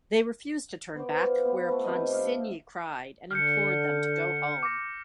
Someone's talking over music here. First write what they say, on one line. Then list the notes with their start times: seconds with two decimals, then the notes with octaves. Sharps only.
They refused to turn back, whereupon Signy cried and implored them to go home.
0.95 B3 C5 D5
1.21 F4
1.45 B3 B4 C5
1.69 A3 B4
1.84 C3 D#3 D#5
2.12 D4 E5 F5
3.31 D3 F6 G6 C#7
4.63 D6 A#6